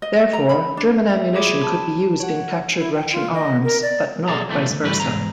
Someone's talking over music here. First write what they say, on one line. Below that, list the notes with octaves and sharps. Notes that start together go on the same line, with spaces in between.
Therefore, German ammunition could be used in captured Russian arms, but not vice versa.
D#5
A#5
B5
D4
E5
F4 G#4 C#5 B5 D6 G#6
A5 B5
C#5 F#5
E4
G5
F4
D#5
A#4
D5
B1 G#4 A4 A#5
B2 E3 A3 C4
D2 G2
G2 E3 G3 A3 G4 B4
E2 G#2 A#5